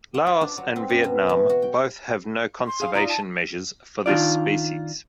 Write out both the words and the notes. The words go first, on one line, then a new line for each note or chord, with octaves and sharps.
Laos and Vietnam both have no conservation measures for this species.
F#5
F4
D4
F#3
C4
F#2
B2
E3
F#4
G5
C6
G#4 F5
D#4 F4 D5 A#5
A5
D#3 D4 F4 D5